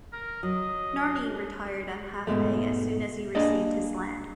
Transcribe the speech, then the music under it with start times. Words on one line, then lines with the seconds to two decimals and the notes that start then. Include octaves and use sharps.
Nairne retired on half-pay as soon as he received his land.
0.13 A#4
0.43 F#3 D#5
2.27 G#2 B2 D3 G#3 A3
3.35 A#3 D4 G#4 D5 D#5